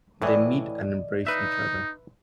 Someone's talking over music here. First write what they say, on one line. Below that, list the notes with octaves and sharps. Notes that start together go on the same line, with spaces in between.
They meet and embrace each other.
A2 E3 D5 D#5
D#4 B4 E5